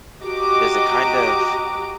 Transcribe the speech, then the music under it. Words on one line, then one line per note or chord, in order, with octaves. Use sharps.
does it kind of
F#4 G4 D#5 A#5 D6